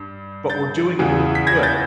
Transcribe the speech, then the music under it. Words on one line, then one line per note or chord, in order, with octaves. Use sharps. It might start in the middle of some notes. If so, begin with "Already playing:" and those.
but we're doing it for the good.
Already playing: G2
G6 A6
E2 C#3 E3
B6
G#6 A#6
G6 A6